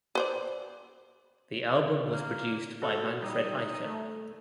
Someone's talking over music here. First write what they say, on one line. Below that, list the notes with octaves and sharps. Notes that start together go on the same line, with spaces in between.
The album was produced by Manfred Eicher.
B4 C5 D5
A#3
F#4 A4
G3 D#4
A3